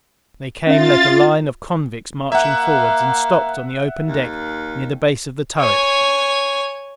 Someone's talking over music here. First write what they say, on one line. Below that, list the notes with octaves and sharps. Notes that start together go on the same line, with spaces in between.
They came like a line of convicts, marching forward, and stopped on the open deck near the base of the turret.
C#4 F4 E5 A6
A#3 E5 F#5
D#2
C#5 G#5